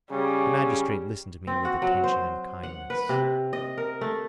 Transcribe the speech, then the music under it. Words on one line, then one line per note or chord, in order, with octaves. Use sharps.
The magistrate listened to me with attention and kindness.
C#3 G3
C4
F#4
F#3
C5
F#5
B4
C3
D#5
A#4
A3